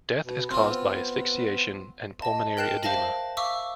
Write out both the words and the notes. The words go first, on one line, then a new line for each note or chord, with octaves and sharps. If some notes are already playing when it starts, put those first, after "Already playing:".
Death is caused by asphyxiation and pulmonary edema.
B2
B3 C4 F4
D#5 A5
A#4 G5 F#6 C7 E7
C5 E5 F5 A5 A#6 F#7
E5 F5 C#6 D6 E6